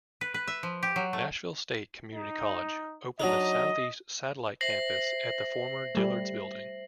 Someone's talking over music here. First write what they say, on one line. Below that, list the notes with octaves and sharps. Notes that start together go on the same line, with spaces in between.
Nashville State Community College open the southeast satellite campus at the former Dillard's building.
B4
B4
E5
F3
G4
F#3
A3
D#4
F#3 D4 D#4 D#5
C5 E5 A#6 C7 F#7
G3 A3